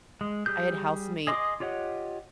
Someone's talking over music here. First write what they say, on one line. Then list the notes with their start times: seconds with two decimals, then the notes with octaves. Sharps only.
I had housemates
0.21 G#3
0.46 G3 G4 G#4 G6
1.27 G#4 D#5 C6 D6 D#6
1.60 F4 G4 C#5 D#5 F#5